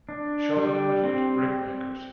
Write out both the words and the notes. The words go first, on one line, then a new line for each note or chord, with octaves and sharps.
Shaw Limited, brickmakers.
D4
G3
C4